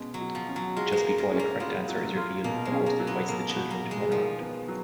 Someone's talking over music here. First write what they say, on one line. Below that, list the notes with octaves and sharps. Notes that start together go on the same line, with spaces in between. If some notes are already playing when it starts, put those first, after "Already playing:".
Just before the correct answer is revealed, the host invites the children to Runaround...
Already playing: B2 G#3 C#4
F#3
F#4
F3
C#4
F#3
G#3 F4
G#3
A#3
A#4
G#3
C#4
A#3
B3 F4
F#3
F4
B2 A#3
G#3
C#4
A#3
F#3
B3
B2 A#3
B3
F#4
A#3
B2
G#3
D#3 F3
B3
F#3